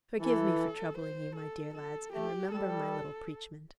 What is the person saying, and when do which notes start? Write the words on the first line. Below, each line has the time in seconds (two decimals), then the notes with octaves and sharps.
Forgive me for troubling you, my dear lads, and remember my little preachment.
0.20 E3 A4
0.98 C5
1.36 A4
1.74 A4
2.13 A3 G4
2.51 G3 A4